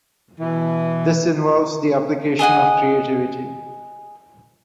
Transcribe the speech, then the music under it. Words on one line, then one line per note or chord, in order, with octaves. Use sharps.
This involves the application of creativity.
B2 E3
G#4 D#5 F#5 G#5